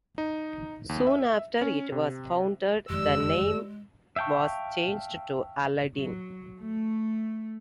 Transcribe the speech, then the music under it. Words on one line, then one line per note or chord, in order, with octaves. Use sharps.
Soon after it was founded, the name was changed to Aladdin.
D#4
D#2
E5
C#4
C3
F#1 F2 D#3 G#3 G4 D5 E6
E5 F5 G5 A5 C#6
F#3
A3